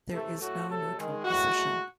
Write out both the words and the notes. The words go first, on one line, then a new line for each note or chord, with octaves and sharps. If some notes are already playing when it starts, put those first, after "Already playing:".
There is no neutral position.
C3 E3 A3
A2 F#3 A3 F#4
C3 F#3 A3 A4
D#3 G#3
A2 E3 G#3 F#4
A2 G#3